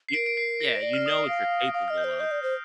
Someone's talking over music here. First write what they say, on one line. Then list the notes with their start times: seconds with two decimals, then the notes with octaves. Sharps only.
You yeah, you know what you're capable of.
0.09 C7
0.14 A#4 D7
0.26 D7
0.37 C7
0.61 A#6
0.76 C5
0.82 D5
0.93 F6
1.06 D#6
1.28 F5
1.74 F5 D#6
1.88 D#5 F6
1.97 G6
2.04 C5
2.20 D#5 G6
2.31 D5
2.42 C5 G6